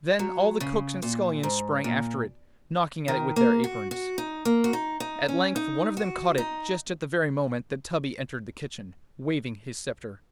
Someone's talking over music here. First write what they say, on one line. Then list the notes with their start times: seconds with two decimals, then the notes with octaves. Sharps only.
Then all the cooks and scullions sprang after it, knocking at it with their aprons. At length one of them caught it just at the very moment that Tubby entered the kitchen, waving his sceptre.
0.19 F#3
0.60 C#3
1.02 A#2
1.43 G#2
1.84 A#2
3.08 D#3
3.36 A#3
3.64 F#4
3.91 F#4
4.18 D#4
4.45 A#3
4.64 F#4
4.73 D#4
5.00 D#4
5.28 C#4
5.56 D#4
5.97 F#4
6.38 D#4